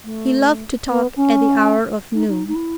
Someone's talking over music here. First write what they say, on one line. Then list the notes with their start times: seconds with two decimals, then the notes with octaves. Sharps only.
He loved to talk at the hour of noon.
0.04 A3
0.88 B3
1.16 C#4
2.15 D#4
2.28 D#4
2.48 D#4
2.55 E4